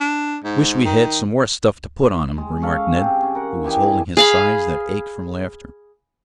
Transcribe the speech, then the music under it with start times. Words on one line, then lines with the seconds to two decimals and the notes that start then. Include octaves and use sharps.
"Wish we had some more stuff to put on 'em," remarked Ned, who was holding his sides that ached from laughter.
0.01 D4
0.44 G#2
0.85 D#3
2.38 G#3
2.62 C#4 A4 F5
2.96 C3 G#4
3.23 C#4
3.35 A#4 F#5
3.64 E3 G4 G#4 D5
4.17 G#4 F5 B5